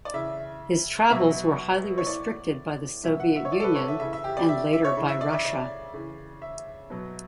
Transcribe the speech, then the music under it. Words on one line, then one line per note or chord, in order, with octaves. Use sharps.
His travels were highly restricted by the Soviet Union and later by Russia.
D5
C#3 E3 E5
B2 F#3 E5
C#5
A2 E3 D5
B2 F#3 E5
F#5
E5
C#5
D5
A4
B4
C#5
E5
C#3 E3 E5
E5
G4
D5
E5
E5
C#5
C#3 E3
E5
D5
E5
D5
C#3 E3
E5
B2 F#3